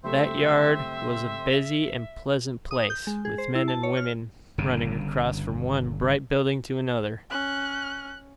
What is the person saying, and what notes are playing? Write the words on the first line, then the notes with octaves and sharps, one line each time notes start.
That yard was a busy and pleasant place, with men and women running across from one bright building to another.
F#1 G3 A3 C4 C5 E5
D#6
G6
G#3
G#4
C5
E4
A5
C#5
F6
G1 G2 C#3
C#4 F#6